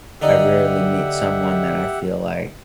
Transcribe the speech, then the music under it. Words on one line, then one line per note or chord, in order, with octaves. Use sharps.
I rarely meet someone that I feel like,
D3 D4 D#4 G4 E5 F#5